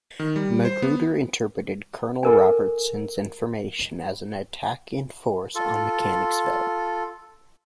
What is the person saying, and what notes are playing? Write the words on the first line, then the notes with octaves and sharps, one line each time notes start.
Magruder interpreted Colonel Robertson's information as an attack in force on Mechanicsville.
D#3
G3
C5
B3
A4 A#4 G#5
F4 A4